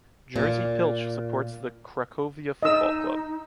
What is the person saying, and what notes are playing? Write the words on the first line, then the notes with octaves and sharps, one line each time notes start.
Jerzy Pilch supports the Cracovia football club.
A#2
D#4 D#5 E6